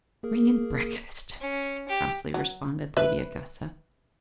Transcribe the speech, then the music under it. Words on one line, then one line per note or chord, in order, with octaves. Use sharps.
"Bring in breakfast," crossly responded Lady Augusta.
A#3 G#4 A#4
C#4
G4
F#3
B4 E5